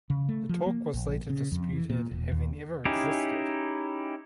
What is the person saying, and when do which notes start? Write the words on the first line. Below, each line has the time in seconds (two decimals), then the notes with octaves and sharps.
The talk was later disputed having ever existed.
0.10 C#3
0.29 A3
0.49 F3
0.66 A#3
0.94 A#1
1.30 C#3
1.52 F2
1.73 E3
1.89 A#2
2.11 E1
2.32 D#2
2.85 C#4 D#4 E4 G4 G#4